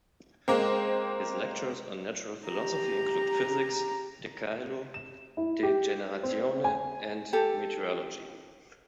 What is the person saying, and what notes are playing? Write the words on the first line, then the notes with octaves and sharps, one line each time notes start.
His lectures on natural philosophy include "Physics", "De caelo", "De generatione", and "Meteorology".
G#3 A#3 C4
G4 A#5
E7
E4
G4
C4
G#5
G4 A4